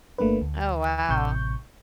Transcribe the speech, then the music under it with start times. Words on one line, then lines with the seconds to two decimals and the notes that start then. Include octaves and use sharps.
Oh, wow.
0.18 G1 A3 A#3 D4 B4
0.41 D2
1.09 A1 C3 C#6 G6